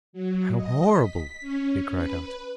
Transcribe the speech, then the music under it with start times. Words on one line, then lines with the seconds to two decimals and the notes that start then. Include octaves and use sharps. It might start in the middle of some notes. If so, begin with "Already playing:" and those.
"How horrible!" he cried out.
0.13 F#3
0.56 D#5
0.93 B6
1.41 C#4
1.92 B4